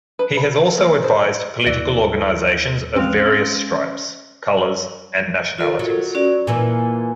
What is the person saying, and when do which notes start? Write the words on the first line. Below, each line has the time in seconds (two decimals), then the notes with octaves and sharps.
He has also advised political organisations of various stripes, colours and nationalities.
0.19 B4
0.37 B5
0.78 A#3
1.04 C5
1.66 D#2 E3 D5
2.96 G#3 C4 C#4 F5
5.58 F4 A4 A#4
5.79 F#3
6.15 C#4 F#4 D5
6.47 A#2 E3 A#3 G#5